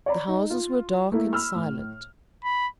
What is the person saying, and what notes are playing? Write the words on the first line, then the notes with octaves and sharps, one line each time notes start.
The houses were dark and silent.
C#5 D5 A#5 B5
D#4
F4
A3 A#3 E4
B5 E6 F6
A2
B5